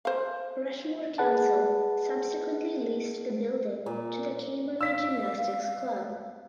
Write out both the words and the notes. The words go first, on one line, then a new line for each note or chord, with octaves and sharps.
Rushmoor Council subsequently leased the building to the Camberley Gymnastics Club.
C5 F5
G#4 B4 F#5 A5
A#2
F5 E6 B6